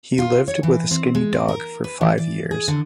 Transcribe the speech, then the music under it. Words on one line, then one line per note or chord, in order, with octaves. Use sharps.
He lived with a skinny dog for five years.
F4
C#5
E3
C4
G#3
C4
A#4
B4
E3
D5
G#4
D3